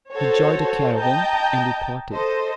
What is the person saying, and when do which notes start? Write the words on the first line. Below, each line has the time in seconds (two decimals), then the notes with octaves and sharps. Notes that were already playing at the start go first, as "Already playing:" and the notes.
He joined a caravan, and departed.
0.12 F#4 A4 C5 C#5
0.96 D#5 G5 A5 A#5 G6
2.12 A4 C5 D#5